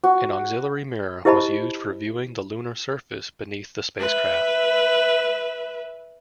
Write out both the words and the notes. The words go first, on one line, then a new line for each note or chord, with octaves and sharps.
An auxiliary mirror was used for viewing the lunar surface beneath the spacecraft.
F#4
E4 G4 C5 D#5 A5 B5
B4 E5